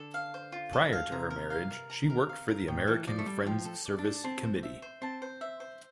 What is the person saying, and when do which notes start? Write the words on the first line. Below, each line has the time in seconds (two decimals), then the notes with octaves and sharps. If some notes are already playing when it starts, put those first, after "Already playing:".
Prior to her marriage she worked for the American Friends Service Committee.
Already playing: D3 A4
0.14 F5
0.34 C5
0.52 F4
0.73 A4
0.93 F5
1.12 C3 A#5
1.30 A#4
1.50 F5
1.70 A#4
1.90 A#5
2.10 A#4
2.29 F5
2.48 A#4
2.68 A2 G5
2.87 E3 A4
3.07 F3 D5
3.19 A3
3.26 G3 A4
3.46 F3 G5
3.65 A4
3.85 D5
3.99 D4
4.05 A4
4.24 C4 A5
4.43 C5
4.63 E5
4.82 C5
5.02 C4 A5
5.22 C5
5.41 E5
5.60 C5